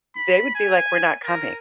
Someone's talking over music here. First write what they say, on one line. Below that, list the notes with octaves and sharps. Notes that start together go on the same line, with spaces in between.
they would be like, "We're not coming.
B5
G#5
A#4